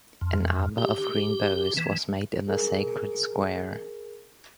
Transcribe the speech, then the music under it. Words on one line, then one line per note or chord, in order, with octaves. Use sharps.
An arbor of green boughs was made in the sacred square.
F2
G4
E3
G#4 A#4